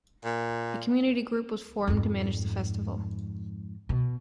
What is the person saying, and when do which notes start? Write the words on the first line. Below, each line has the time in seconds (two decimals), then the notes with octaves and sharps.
A community group was formed to manage the festival.
0.25 A#2
1.87 F2 G#2
3.89 B2